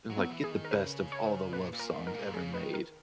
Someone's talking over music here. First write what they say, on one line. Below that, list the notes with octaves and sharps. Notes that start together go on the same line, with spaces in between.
They're, like, "Get the best of all the love songs ever made,"
F#3
B3
E3
G#4
D#3
A#4
C#3 B4
C#5
A#2 B4
A#2
A#4
G#2
A#4
A#2
C#3 G#4
D#3 B4
A#4